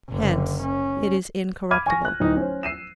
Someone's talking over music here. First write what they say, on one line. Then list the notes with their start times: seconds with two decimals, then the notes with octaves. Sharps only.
Hence it is incorruptible.
0.10 F#1 D3
0.63 C#4
1.71 B5 D6 F6 G#6 D#7
1.86 G#5 C#6 A#6
2.05 F#6
2.20 D1 D#4
2.37 C#4 C5
2.63 E6 C7 D#7 E7